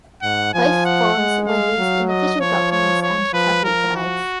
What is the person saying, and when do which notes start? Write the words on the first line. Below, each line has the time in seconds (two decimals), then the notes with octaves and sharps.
Both forms were used in official documents and travel guides.
0.22 G#2 F#5
0.54 F3 G#5
0.85 F#5
1.16 G#3
1.48 F5
1.78 F#3
2.09 D#5
2.40 F3 C#5
2.71 C#5
3.02 C#5
3.33 F3 B4
3.64 F3 A#4
3.96 F#4